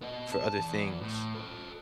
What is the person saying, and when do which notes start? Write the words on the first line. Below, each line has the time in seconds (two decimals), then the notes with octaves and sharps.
for other things,
0.02 B3 D#5
0.32 A5
0.59 E2
1.01 A2
1.34 A4 C5